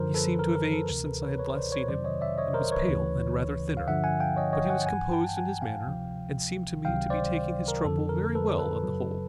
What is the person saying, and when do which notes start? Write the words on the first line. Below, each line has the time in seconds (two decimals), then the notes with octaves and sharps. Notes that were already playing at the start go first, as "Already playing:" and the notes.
He seemed to have aged since I had last seen him, and was pale and rather thinner, but he was composed in his manner and seemed to me to be taking his trouble very well on the whole.
Already playing: F#2 D3 F3 A#4 C5
0.14 A4 B4
0.39 A#4
0.55 A#4
0.72 A4 B4
0.89 D2 C3 E3 A#4
1.05 A4 B4
1.22 B4 C#5
1.38 B4 C#5
1.55 C5 D5
1.72 B4 C#5
1.88 F2 C3 D#3 F#3 C5 D5
2.05 C#5 D#5
2.21 D5 E5
2.38 C#5 D#5
2.54 A#4 C5
2.72 B4 C#5
2.88 D2 C#3 E3
3.77 F5
3.88 G2 D3 F3 E5 F#5
4.04 F#5 G#5
4.20 F5 G5
4.36 C#5 D#5
4.53 C#5 D#5
4.65 G5
4.70 F#5 G#5
4.86 G2 E3 F#5 G#5
5.12 G5 A5
5.29 G5
5.37 F#5 G#5
5.61 F5 G5
5.86 D2 C3 F3
6.85 C#2 C3 D#3 F#3 F5 G5
7.10 C5 D5
7.68 A#4
7.85 F2 D3 F3 A4
8.09 A#4
8.35 A4 B4
8.59 A4 B4
8.84 F#2 C#3 F#3